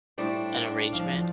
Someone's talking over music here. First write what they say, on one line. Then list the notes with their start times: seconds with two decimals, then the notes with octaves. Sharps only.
an arrangement?
0.18 A2 G3 D4 C5
0.93 F3 D4 F5